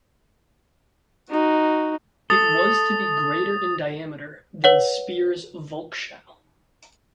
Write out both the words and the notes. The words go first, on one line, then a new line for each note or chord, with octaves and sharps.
It was to be greater in diameter than Speer's Volkshalle.
D#4 F#4
A4 D#6 A6
B4 C#5 F#5